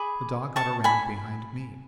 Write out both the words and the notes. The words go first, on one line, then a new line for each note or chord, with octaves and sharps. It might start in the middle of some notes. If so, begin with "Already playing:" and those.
The dog got around behind me.
Already playing: G#4 B5 D6
A5 C#6
G#5 B5